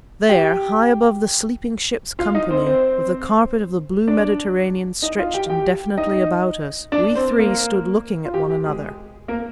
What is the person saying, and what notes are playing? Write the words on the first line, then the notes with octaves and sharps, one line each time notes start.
There, high above the sleeping ship's company, with the carpet of the blue Mediterranean stretched indefinitely about us, we three stood looking at one another.
G4 G5
F4 F5
D#4 D#5
C4 C5
C4 C5
D4 D5
D#4 D#5
F4 F5
G4 G5
G4 G5
D#4 D#5
D4 D5
C4 C5
A#3 A#4
F4
G4
G4
G#3 G#4
A#3 A#4